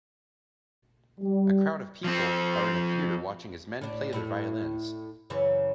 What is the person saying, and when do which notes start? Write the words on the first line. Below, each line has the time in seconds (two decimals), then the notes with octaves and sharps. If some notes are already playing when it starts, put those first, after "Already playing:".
A crowd of people are in a theater watching as men play their violins.
1.20 G3
2.04 F3 C4
3.81 A2 D4
4.13 A2 E4
5.30 F#2 C#3 E3